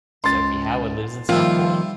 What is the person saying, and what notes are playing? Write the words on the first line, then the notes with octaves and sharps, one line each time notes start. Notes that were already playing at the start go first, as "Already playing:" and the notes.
Sophie Howard lives in Southport.
C#2 C6 A6
D#3 F3 G3 A#3 E4 F4